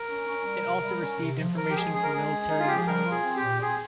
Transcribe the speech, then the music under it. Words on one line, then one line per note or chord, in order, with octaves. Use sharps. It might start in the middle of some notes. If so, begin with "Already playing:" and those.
It also received information from military intelligence.
Already playing: A#4
C#4
C#4
G3
C3
G3
C#4
C3
F3
F3 A#4
G4
G#3 G#4
C#4 G#4
A#4
G#3 G#4
C#4
G#3 D#4
F4
F3 G4
G#4
G3 A#4
F4
G#4
C4
G4
A#2
C4 G#4